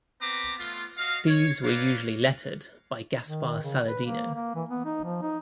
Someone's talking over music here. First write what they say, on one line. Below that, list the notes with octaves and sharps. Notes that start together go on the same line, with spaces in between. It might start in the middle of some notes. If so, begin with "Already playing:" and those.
These were usually lettered by Gaspar Saladino.
B3 C4 B4 A#5 D6
A3 B3 F4
F#4 D#5 F5
C#5
A#4 B4 C#5 D5 F5
D#3
C#3
B4
A#3
A#3
E3
B3
D#4
F3
D#4